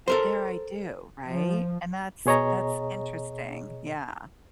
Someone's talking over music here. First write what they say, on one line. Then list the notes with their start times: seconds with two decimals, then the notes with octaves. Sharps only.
But there I do, right? And that's that's interesting, yeah.
0.08 A4 A#4 C5
1.27 F3
2.26 B2 G#4 C#5 D#5 A#5